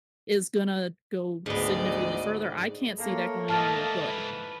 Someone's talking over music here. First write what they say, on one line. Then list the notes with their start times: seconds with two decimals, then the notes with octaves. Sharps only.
is gonna go significantly further. I can't see that going anywhere good.
1.46 D2 G#2 B3 D5 D#5
2.98 A3 A#3 C#5
3.49 G#2 E3 A#3 D#5 A5 F6 A6
4.01 B4